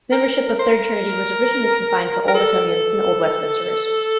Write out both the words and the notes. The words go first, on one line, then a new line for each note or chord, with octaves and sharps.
Membership of Third Trinity was originally confined to Old Etonians and Old Westminsters.
A#4
A#4
C5
A#4
A#4
A4